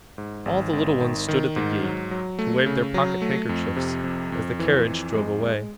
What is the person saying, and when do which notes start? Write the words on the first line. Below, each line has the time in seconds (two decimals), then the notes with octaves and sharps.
All the little ones stood at the gate, to wave their pocket-handkerchiefs as the carriage drove away.
0.18 G#2
0.46 G#1
0.73 G#1
1.01 D#3
1.28 D#3
1.56 G#2
1.84 F#3
2.11 F#3
2.39 A3
2.66 C#3
2.94 F#3
3.22 A3
3.49 F2
3.76 C3
4.04 F2
4.32 F2
4.59 E3
4.87 F2
5.14 G#3
5.42 G#3